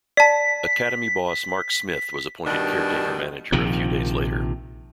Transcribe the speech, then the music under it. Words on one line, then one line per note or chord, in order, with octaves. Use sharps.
Academy boss Mark Smith was appointed caretaker manager a few days later.
D5 A5 B6
G2 B2 D#3 D4
A#1 C3 D#3 F3